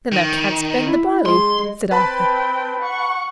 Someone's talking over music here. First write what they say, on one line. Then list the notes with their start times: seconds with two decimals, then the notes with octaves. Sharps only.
"Then thou canst bend the bow?" said Arthur.
0.12 D#3
0.84 E4
1.26 G#3 C6
1.91 C4 B4 G5 A5 B5
2.80 F#5 C#6